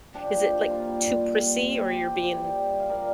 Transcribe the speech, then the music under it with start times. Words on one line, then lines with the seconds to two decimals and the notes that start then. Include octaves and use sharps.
is it, like, too prissy or you're being
0.14 F3 D4 G4
0.32 A#2
0.51 A#2
0.69 G3 F4 A#4
0.88 G3
1.06 G3
1.25 A#2
1.43 G3
1.61 A#2
1.79 C3 G4 C5
1.98 F3
2.16 C3
2.34 G3
2.53 G3
2.71 G3
2.80 F5
2.89 A#2 A#4 D5